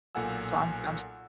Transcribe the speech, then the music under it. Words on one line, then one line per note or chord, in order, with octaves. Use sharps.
So, I'm I'm s
B1 A#2 A4 F#5 G#5 E6